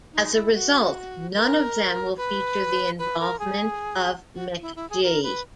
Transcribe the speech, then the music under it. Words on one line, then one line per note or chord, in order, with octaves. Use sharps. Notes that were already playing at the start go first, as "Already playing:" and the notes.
As a result, none of them will feature the involvement of McG.
D#4
E4
F#4
A#4
B4
B4
A#4
G#4
F#4
E4
E4
G#4
A#4
B4